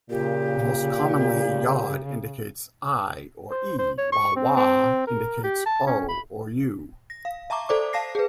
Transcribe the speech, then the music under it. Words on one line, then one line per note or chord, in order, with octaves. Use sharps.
Most commonly, yod indicates "i" or "e", while waw indicates "o" or "u".
A#2 C#3 G4
C5
C5
C#5
C#6
C4
C4
A#4
G4
A5
C#4
B5
A#6
F5
E5 A5 A#5 C#6 D6
A4 C5 D5 D6
F5 A5 A#6 C7
G#4 B4